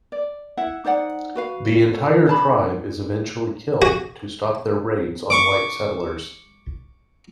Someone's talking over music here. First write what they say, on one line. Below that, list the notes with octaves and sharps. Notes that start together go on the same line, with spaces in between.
The entire tribe is eventually killed, to stop their raids on white settlers.
D5
E4 E5 F#5
D#4 C5 D5 F#5
F#4 B4 F5
F4 A4 C#5
D4 B4 A5 B5
F#4
C#6 D6